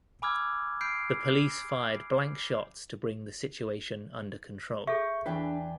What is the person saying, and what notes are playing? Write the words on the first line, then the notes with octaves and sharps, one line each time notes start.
The police fired blank shots to bring the situation under control.
G#5 B5 D6 E6 F6 G#6
B5 F6 G6 C7 D7
G#4 A4 E5 C#6 G6
E2 E3 D4 B4 D5 G5 G#5